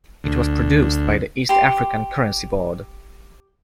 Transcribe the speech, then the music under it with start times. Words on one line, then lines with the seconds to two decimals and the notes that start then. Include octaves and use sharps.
It was produced by the East African Currency Board.
0.24 D2
1.49 G4 C6